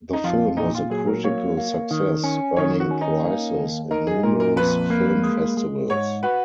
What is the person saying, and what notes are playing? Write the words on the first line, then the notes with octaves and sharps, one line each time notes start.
The film was a critical success, earning prizes in numerous film festivals.
D#4
F2 F4
A#2 D#4
F4
F#3 G#4
A#4
A#3 C#5
A#3
D#3
C#4
D#3 C#5
F#4
C#4
D#4
A#3
D#2
D#4 A#4
G#4
A#2 A#4
A#4
F2 B4
A#3
G#3
G#3
G#2 C#5
F#4 B4